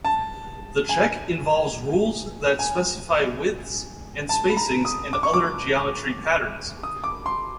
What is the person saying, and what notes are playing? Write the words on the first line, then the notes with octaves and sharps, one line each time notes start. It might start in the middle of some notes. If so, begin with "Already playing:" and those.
The check involves rules that specify widths and spacings and other geometry patterns.
A5
G#5
G#5
A5
B5
A#5
D#6
D6
C#6
D6
D#6
D6
C6